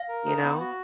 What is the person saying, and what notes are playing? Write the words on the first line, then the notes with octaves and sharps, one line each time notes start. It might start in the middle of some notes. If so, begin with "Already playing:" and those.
You know?
Already playing: F5
A#4
D#4
B3
F#4